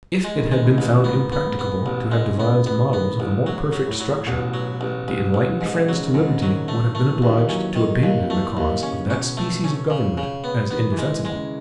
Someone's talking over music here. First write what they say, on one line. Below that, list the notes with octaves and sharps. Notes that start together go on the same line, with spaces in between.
If it had been found impracticable to have devised models of a more perfect structure, the enlightened friends to liberty would have been obliged to abandon the cause of that species of government as indefensible.
G#3
D#3
C#3
G#3
A2
A1
G#2 B3
B3
G#2
B3
A1 B2
G#3
C#3
B3
A2 B3
D#3 B3
A1 A2
G#2 F#3
F#3
A2
F#3
A1 B2
F#3
A1
A1
A1
G#2
C#3 F#3
D#3
G#2 C#3
D#3 F#3
A3
D#3
A3
E3
D#2
D#3
E3
F#3 C#4
D#3
D#2
E3 A3
D#2 D#3
C#3 C#4
B2 C#4
A3
C#4
C#3
C#3
B3
D#3 B3
E3
G#3
G#3
C#3